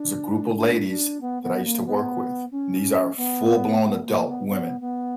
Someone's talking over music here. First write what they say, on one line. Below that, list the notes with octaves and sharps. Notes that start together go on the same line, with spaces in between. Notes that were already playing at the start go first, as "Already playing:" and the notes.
there's a group of ladies that I used to work with. These are full blown adult women.
Already playing: D4
D4
D4
B3
B3
A#3
B3
C#4
B3
B3
A#3
B3
B3
B3